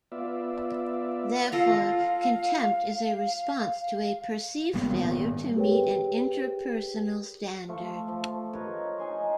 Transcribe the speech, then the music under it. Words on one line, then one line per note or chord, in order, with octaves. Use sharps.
Therefore, contempt is a response to a perceived failure to meet an interpersonal standard.
B3 F4 D5 E5
F4 A4 F5 A#5
G#1 A#2 G3 B3
G4 G#4 A#4 B4 C#5 G5
F3 A3 F4 C#6
F3
A#4 B4 C#5 D#5
D#4 G#5 C6